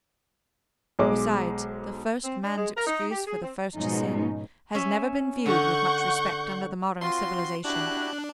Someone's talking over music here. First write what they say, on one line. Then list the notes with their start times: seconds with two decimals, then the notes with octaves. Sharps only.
Besides, the first man's excuse for the first sin has never been viewed with much respect under the modern civilization.
0.99 B1 G#3 C5 D#5 D6
2.24 C4
2.43 D4
2.57 G#3
2.75 A#4
2.87 D#4
3.11 G4
3.25 G#4
3.43 C4
3.77 G#2 B2 F3 C#4 D#4
4.75 C#4 E5
5.46 D3 F#5 C#6 G6
7.01 C4 F4 F#4 C6
7.64 D4 E4 F#4 G4 F#6